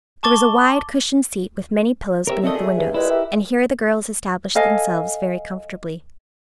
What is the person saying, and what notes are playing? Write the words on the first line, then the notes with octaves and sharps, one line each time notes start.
There was a wide cushioned seat with many pillows beneath the windows, and here the girls established themselves very comfortably.
A5 C#6 D6 A6 G7
C3 A#4 C#5 E5
D3 D#3 A3 C4 F#4 D#5 E5
G#4
G2
A#2 G3 G#3 E4 B4
G4 A#4 E5
A4 D#5 F5 G#5